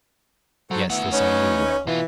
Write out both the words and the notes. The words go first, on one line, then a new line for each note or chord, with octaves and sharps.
Yes, this I knew well.
F#3 F#4 A4 C5
A3 B3 E4 F#5
C#4 D#4 B4 C#5
B2 E3 F4